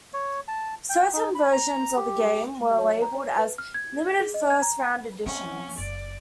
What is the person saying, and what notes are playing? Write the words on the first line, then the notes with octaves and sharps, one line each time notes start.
Certain versions of the game were labeled as "Limited First Round Editions".
C#5
A5
G5
D#4
B5
A#5
G4
C#5
A#5
C#5
B4
F6
G#6
G#4
D#5
G#6
A#5
C4 C#4
F#1 D5